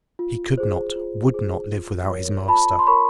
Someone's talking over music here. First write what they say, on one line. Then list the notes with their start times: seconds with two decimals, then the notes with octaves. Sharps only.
He could not, would not live without his master.
0.19 F4
0.57 G#4 C5
0.96 F4
1.34 G#4 C5
1.73 F4
2.10 A#4 C#5
2.48 F4 A5 B5
2.79 C6
2.87 A#4 C#5 B5 C#6